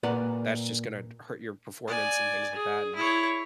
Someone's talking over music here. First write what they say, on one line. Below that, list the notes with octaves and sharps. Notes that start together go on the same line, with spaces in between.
That's just gonna t hurt your performance and things like that, and
A#2 A#3 B4 D5 F#5 A#5
D5 G#5
G#4
E4 C#5